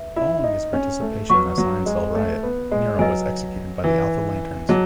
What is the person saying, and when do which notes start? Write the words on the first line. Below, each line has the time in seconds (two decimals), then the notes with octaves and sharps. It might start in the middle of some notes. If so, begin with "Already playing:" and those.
Following his participation in a Sciencell riot, Nero was executed by the Alpha Lanterns.
Already playing: B4 E5
0.16 E4
0.44 D#4
0.73 C#4
1.01 A3
1.30 F#3 B4 F#5 C#6
1.58 F#3
1.86 G#3
2.15 A3
2.43 B3
2.71 G#3
2.99 F#3 B4 D#5 G#5
3.84 E3
4.69 F#3 G#4 D#5 A5